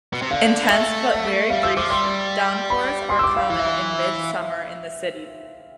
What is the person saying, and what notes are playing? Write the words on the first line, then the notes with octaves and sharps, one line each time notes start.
Intense but very brief downpours are common in mid-summer in the city.
B2
C3
D3 F5
A3 E5
G3 F5
F3 E6
F3 D6
G3 C6
B5
C6
E6
D6
F5
E3 F5
E5